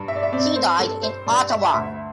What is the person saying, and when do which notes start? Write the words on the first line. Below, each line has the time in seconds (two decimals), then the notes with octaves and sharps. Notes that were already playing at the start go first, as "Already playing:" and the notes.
He died in Ottawa.
Already playing: G2
0.08 E5
0.16 D5
0.23 E5
0.33 C4 D5
0.56 C5
0.79 G2 A4
1.03 C5
1.26 G2 D5
1.50 E5
1.74 D2 E5
1.86 E5